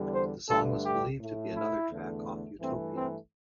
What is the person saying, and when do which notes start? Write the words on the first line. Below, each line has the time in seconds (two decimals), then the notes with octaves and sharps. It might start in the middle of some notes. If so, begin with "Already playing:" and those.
The song was believed to be another track off "Utopia".
Already playing: E2 D3 G3
0.13 C5
0.48 G2 D3 A3 A4
0.84 G4
1.19 A2 A3
1.54 E4
1.90 E2 D3 A3
2.60 G2 E3 A3 C4
2.95 C4